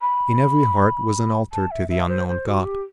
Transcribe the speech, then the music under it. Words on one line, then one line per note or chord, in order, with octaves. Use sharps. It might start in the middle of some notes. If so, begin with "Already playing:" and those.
In every heart was an altar to the Unknown God.
B5
A5
E5
E5
C5
C5
F#4
G4